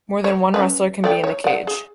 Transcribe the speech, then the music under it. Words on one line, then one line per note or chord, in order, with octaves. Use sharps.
More than one wrestler can be in the cage.
C#5
C#4 B4
A3 D5 G5
C#5
D5 F#5
G#4